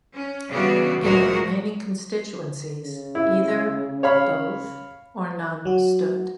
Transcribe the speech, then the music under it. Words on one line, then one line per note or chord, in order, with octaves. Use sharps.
In the remaining constituencies either both or none stood.
C#4
C#3 E3 G3 B3 D4 F#4
D2 A#2 G#3 F#4 A#4
C#3
E4
C#5 F5 B5
F#3 F#4